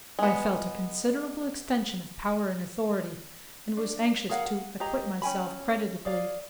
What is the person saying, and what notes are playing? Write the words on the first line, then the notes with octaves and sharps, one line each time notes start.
I felt a considerable extension of power and authority, and was anxious to acquit myself creditably.
G#3 B3
D4
G#4 A#4 F5 F#5
F#5
G4 G#4 D#5 A#5
C#4 G5 G#5 B5
G#4 D5 F5